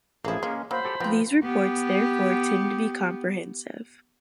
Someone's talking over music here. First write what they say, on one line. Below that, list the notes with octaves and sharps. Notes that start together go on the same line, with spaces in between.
These reports therefore tend to be comprehensive.
A1 F3 A#3 E4 G#4
G#3 A#3 C#4
F#3 A#3 C5 B5
G4 A4
F3 B3 C4 G5 A#5
B3 G4